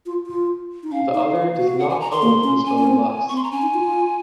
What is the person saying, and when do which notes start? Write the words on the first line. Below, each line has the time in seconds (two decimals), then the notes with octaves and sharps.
The other does not own his own lust.
0.06 F4
0.27 F4
0.83 D#4
0.92 C#4 F5
1.14 D#4
1.35 F4
1.57 F#4
1.79 F#5
1.89 G#5
2.00 A#5
2.11 C6
2.22 A#3
2.43 C#4
2.66 C#4 G#5
2.78 C#4
2.87 C4
3.28 C4 C#6
3.36 C6
3.44 A#5
3.52 C#4 G#5
3.62 D#4
3.74 F4
3.84 F4